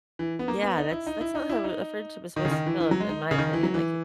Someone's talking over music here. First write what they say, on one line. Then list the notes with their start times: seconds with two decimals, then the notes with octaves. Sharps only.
Yeah, that's that's not how a friendship is supposed to feel in in my opinion, like, at
0.19 E3
0.39 B3
0.48 A#3
0.63 B3
0.77 D#4
0.92 E4
1.07 D#4
1.21 E4
1.35 D#4
1.49 E4
1.64 D#4
2.36 D#3
2.45 C#3
2.51 D#3
2.66 E3
2.80 E3
2.91 F#3
3.00 G#3
3.09 D#4
3.31 C#3
3.38 D#3
3.53 E3
3.63 F#3
3.74 E3